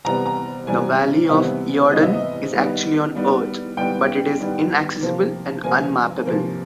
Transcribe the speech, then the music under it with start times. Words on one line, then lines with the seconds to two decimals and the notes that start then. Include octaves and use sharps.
The valley of Eodon is actually on Earth, but it is inaccessible and unmappable.
0.05 C3 E3 G3 B3 A#5
0.26 A#5
0.67 C3 E3 G3 B3 G#5
1.29 C3 E3 G3 B3 E5
1.91 C3 E3 G3 B3 D#5
2.03 E5
2.13 D#5
2.53 D#3 G3 B3
3.15 D#3 G3 B3
3.77 D#3 G3 B3 G5
4.39 D#3 G3 B3
5.01 C3 F3 A#3
5.64 C3 F3 A#3 G#5
6.26 C3 F3 A#3